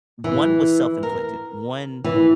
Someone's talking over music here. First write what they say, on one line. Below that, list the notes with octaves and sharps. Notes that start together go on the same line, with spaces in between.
one was self-inflicted. One,
E3
A#4
E3